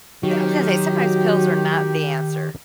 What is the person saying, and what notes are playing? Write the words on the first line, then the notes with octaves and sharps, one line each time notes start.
I was gonna say, sometimes pills are not the answer.
D#3 F#3 F#4 G4